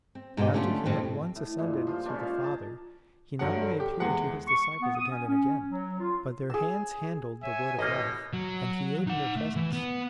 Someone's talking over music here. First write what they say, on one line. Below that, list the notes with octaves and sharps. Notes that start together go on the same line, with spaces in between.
After he had once ascended to the Father, he not only appeared to his disciples again and again, but their hands handled the word of life, and he ate in their presence.
C4
G#2 B2 D#4 E4 G4
D3 A3 C#4 D4 F4
F2 A2 G3 C4
A2
G2 A#2 G#3
F3 F4 C5
A#2 G#3 C#4 D4
C5 F5
D4 G#4 A5 A#5
G2 D3 F3 F#3 F#5
G4
E2 G#3 F#5
C#6
B3
D#6
C#4
C#4
F#3
F4
G#4 E6
C#5 E5 G#5
A1 B2 A#3 C#5 D#5
F#3
D#4 F#5
A3
E3
B3